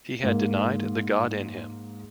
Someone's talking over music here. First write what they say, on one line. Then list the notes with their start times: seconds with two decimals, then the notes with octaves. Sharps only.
He had denied the God in him.
0.23 G#2 A#3